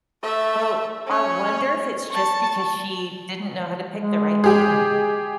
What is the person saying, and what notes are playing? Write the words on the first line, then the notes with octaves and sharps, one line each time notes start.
Well, I wonder if it's just because she didn't know how to pick the right men.
A3 E5
C#4 C#5
A5 C#6
G#3
G4 G#4